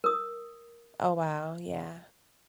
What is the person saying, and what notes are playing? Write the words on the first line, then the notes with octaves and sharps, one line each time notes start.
Oh, wow, yeah.
A#4 D#6